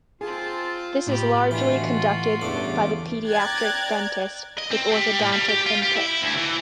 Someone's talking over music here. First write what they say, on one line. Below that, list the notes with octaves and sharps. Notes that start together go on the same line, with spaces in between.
This is largely conducted by the paediatric dentist with orthodontic input.
C4 F4 G#4 A5
A2 G4 B5
B2 D3 E3 F4 F#4
E2 G2 C#3 A3 D6
D5 G5 A#5 F#6 G#6 A6
D#5
C4
G3
A2
G3
G4
F4
G4
E4
D2
E3